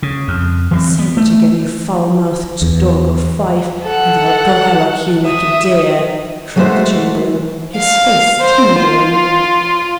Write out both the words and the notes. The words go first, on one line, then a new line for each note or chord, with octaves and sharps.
"Say that again, you foul-mouthed dog o' Fife, and I'll gralloch you like a deer!" cried the Chamberlain, his face tingling.
C#3
F2
E3 F#3 C4
B3
A3
E2
A4 F#5
E5 D#6
F#3 G#3 A3 F#4 C5 E5
F5
C5
F4